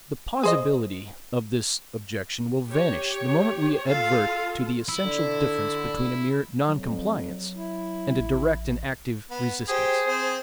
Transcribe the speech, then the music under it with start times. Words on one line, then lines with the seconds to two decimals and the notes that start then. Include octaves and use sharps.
The plausibility of this objection will vanish the moment we advert to the essential difference between a mere NON-COMPLIANCE and a DIRECT and ACTIVE RESISTANCE.
0.43 G#4 C5 D#5
2.70 G4 C#5
3.87 F4 A4 F5
4.89 E4
5.05 D3
6.68 F2 F#3
7.55 E4
8.20 A1
9.31 B3
9.69 G4 G#4 C5
10.08 C4